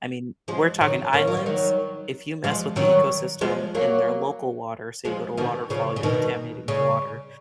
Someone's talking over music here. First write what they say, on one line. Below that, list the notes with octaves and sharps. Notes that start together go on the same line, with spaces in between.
I mean, we're talking islands, if you mess with the ecosystem in their local water- so you go to a waterfall, you're contaminating the water-
F3 G#3
D#3 F#3
A#3 C#4
D#3
F3
D#3 F#3
F3 G#3
D#3 F#3
F3 G#3
F#3 A#3
F3 G#3
B2 D#3
C#3 F3
C#3
B2 D#3
C#3